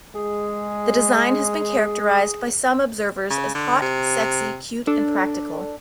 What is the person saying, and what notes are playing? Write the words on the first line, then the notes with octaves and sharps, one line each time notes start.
The design has been characterized by some observers as hot, sexy, cute and practical.
G#3 G#4
C#3
D3
C3
D4 A4